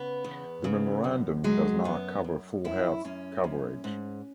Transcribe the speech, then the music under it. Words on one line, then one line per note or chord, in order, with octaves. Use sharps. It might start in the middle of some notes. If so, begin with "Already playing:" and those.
The memorandum does not cover full health coverage.
Already playing: C#3 B3
E2
C#3
F#2
F#3 G#3
F#2 B3
F#2
F#2 E4
F#2 C#4
F#2
G#2